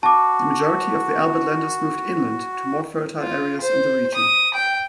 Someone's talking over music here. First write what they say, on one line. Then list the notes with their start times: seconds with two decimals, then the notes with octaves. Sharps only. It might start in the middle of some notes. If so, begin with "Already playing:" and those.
The majority of the Albertlanders moved inland, to more fertile areas in the region.
0.03 F#4 A5 D6
3.19 F4
3.61 C5
4.14 D#6
4.54 G5